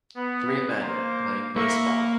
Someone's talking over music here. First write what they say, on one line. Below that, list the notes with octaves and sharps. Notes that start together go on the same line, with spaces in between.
Three men playing baseball.
B3
A#3 C5
A#3 E5 B5 C#6